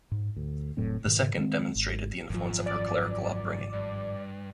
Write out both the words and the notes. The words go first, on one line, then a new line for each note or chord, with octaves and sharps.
The second demonstrated the influence of her clerical upbringing.
G#2
D2
F1 A2 F#3 C4
G#2 B2 D#3
D#3 G#3 A#3 C4
G#1
G#1 F#2 F3
D5
G2